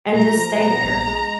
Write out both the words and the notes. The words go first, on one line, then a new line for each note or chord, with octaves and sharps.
and just stay there.
A#2 A#5
F3
B3 A#5
A#1
G#3